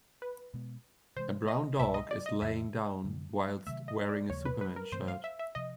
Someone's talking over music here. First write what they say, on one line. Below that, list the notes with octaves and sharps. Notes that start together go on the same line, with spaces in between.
A brown dog is laying down whilst wearing a superman shirt.
B4
B2 G#3 B3
C3 E3 G#3 C5
D#5
C2 B2 G#3 E5
D#5
D5
D#5
F2 C#3 E3 E5
F#2 D3 G3
C3 D#3 F#3 A3 E5
D#5
D5
D#2 C#3 F3 A#3 C#5
B4
B4
A#4
G2 E3 A3 C4 C5
F5
E5
E5
C3 F3 D#5